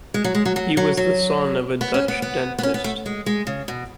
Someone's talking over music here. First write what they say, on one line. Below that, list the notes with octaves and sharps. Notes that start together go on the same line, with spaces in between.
He was the son of a Dutch dentist.
G#3
F#3
G#3
F#3
F#3
F#3
F#3
B3
C#4
B3
B3
B3
C#4
B3
A3
G#3
G#3
C#3
B2